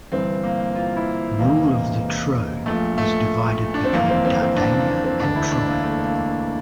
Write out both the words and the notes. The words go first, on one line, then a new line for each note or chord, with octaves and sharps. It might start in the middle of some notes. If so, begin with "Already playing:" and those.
Rule of the Troad was divided between Dardania and Troy.
G1 G2 E3 C4
A#3
F4
E4
E1 E2 C3 E3 A#3
A#1 A#2 A3
A3
D4
C4
G1 F2 E3 A#3
C4
C4
C4
D4
A#3
A#3
C4
E1 D2 D3 D4
E4
D4
A#3
A3
A#3